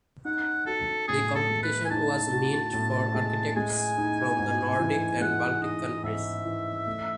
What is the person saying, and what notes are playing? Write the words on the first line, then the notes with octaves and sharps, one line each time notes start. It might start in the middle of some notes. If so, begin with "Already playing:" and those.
The competition was meant for architects from the Nordic and Baltic countries.
D#4 F#5
F#4 A4
A2 G#4
A4
G#3
B4
G#5
D#4 A5
F#4
A2
G#3
G#3 G#5
D#4
G#2
E3
G#3 F#5
D#4 D#5
G#2 E5
E3
A3